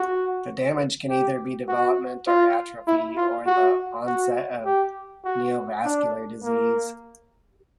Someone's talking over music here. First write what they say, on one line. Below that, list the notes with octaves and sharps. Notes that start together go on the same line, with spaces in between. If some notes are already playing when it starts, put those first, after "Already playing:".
The damage can either be development of atrophy or the onset of neovascular disease.
Already playing: F#4
G4
F#4
F4
E4
F4
F#4
F#4
G4
F#4
D4
A#3